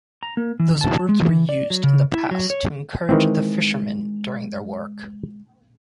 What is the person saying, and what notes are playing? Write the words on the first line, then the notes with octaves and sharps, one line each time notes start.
Those words were used in the past to encourage the fisherman during their work.
A#5
A#3
E3
A5
G#3
E3
D5
F#3
C#3
E4
F#3
C#5
D#3 E3 G#3 C4